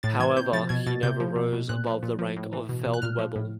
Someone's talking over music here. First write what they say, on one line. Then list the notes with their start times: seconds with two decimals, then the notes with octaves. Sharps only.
However, he never rose above the rank of Feldwebel.
0.03 A2 A6
0.20 E3 G#6
0.36 C3 G6
0.53 F3 A6
0.69 B2 G#6
0.86 B2 A6
1.03 C3 G6
1.20 F3
1.36 B2
1.52 B2
1.69 A#2 F#6
1.87 F3
2.03 A#2
2.19 F3
2.36 A2
2.53 E3
2.69 B2
2.86 B2
2.94 F#6
3.02 A#2 F6
3.19 F3
3.36 A2